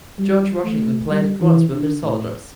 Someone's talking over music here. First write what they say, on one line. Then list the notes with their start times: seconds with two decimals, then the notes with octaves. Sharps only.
George Washington played it once with his soldiers.
0.19 G3
0.65 A3
1.10 G3
1.41 E3
1.72 D3
2.03 A2